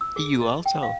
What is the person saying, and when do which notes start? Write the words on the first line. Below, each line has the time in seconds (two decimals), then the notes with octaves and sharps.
You also.
0.01 E6
0.16 G#4
0.41 D#5
0.66 G5
0.83 F5